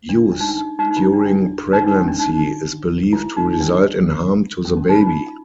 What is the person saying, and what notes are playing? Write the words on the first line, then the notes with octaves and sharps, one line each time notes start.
Use during pregnancy is believed to result in harm to the baby.
D4
D4
D#4
D4
D#4
D#4
E4
D#4
D4
D4
D#4
D4
C#4
D4
D#4
E4
D#4
D4
C#4
C#4
D#4
F4
E4